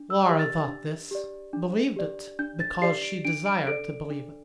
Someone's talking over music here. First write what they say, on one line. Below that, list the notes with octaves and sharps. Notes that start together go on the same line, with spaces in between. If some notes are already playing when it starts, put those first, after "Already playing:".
Laura thought this, believed it; because she desired to believe it.
Already playing: D4
E6
G4 D5
A6
D4
G4 D5
D4
G4 D5
D4 G6
A6
G4 D5 C7
D7
D4 D7
D7
A4 D5 D7
D4